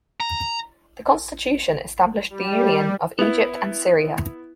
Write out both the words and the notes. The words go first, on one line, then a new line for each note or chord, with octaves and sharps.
The constitution established the union of Egypt and Syria.
A#5
G3
B3 E4